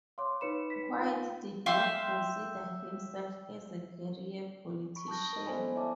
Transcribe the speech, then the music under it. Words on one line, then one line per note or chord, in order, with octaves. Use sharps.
White did not consider himself as a "career politician".
C#5 F5 C6 D6
D#4 B4 C#5 B5 C#7 E7
B6
F4 F5
E5 F5 G5 C6
B5 C#6 D7
A5 D#6 F#6 G6 A#6
A#4 D#5
B3 A4 C5 D5 G#5 B5
E4 C#5 D5 E5 A5 D6